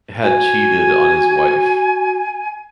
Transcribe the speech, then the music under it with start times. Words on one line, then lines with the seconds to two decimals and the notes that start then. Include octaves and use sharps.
had cheated on his wife.
0.22 F#4 G#5